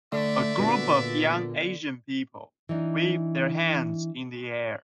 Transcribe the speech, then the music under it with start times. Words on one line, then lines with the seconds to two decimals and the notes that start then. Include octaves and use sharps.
A group of young Asian people wave their hands in the air.
0.12 D3 A3 D5 E5
0.58 A#2 B3 D4 F#4
2.69 E3 D4 D#4